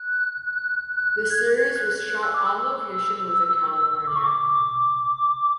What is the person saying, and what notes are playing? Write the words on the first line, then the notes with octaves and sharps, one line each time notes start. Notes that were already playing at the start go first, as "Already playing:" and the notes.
The series was shot on location within California.
Already playing: F#6
F#6
G#6
F#6
E6
D6
E6
D6
C#6
D6